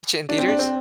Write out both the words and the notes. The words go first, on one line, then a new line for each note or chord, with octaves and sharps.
tch it in theaters?
D4
C4
D4
C4